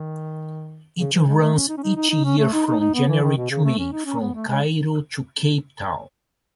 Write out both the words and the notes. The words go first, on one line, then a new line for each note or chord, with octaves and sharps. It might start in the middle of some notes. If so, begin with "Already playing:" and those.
It runs each year from January to May, from Cairo to Cape Town.
Already playing: D#3
C#3
E3
G#3
A3
C#4
D#4
C#4
D#4
D#4
D#4
C#4
A3
D#4
D#4
D#4
B3
E3
D#3
B2
C#3
A3
C#4
D#4
C#4
B3
A3
G#3